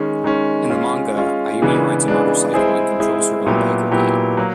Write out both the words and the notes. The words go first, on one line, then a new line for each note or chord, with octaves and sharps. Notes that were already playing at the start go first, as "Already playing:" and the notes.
In the manga, Ayumi rides a motorcycle and controls her own biker gang.
Already playing: D#3 G#3 C#4
D#3 G#3 C#4
G#3 C#4 F4
G#3 C#4 F4
C#3 E3 G#3 B3 D4
C#3 E3 G#3 B3 D4
G#3 C4 E4 G#4
G#3 C4 E4 G#4
A#2 F#3 B3 E4 G4
A#2 F#3 B3 E4 G4
F#3 A#3